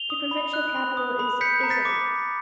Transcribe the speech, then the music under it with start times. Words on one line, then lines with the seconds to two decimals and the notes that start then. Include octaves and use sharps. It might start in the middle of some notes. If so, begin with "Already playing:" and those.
The provincial capital is Isale.
Already playing: F7 G7
0.10 D#6
0.31 B5
0.53 F#6
0.75 B5
0.97 D#6
1.19 B5
1.41 G6 B6 C#7
1.63 A#5
1.70 A6 B6
1.85 D6